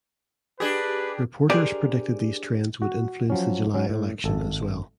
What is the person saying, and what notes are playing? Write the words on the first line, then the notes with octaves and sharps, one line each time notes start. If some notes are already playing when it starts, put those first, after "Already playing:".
Reporters predicted these trends would influence the July election as well.
D4 G4 G#4 B4
D4 G4 G#4 A#4 C5 D5
F#4
F3 F#3 C#4
F#3 C#4
A2
G#1 A4